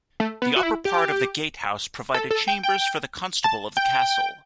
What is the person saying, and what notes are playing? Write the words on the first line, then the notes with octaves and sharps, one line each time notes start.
The upper part of the gatehouse provided chambers for the constable of the castle.
A3
B3
F#4
E4
G4
A4
A4
G5
G5
A5
G5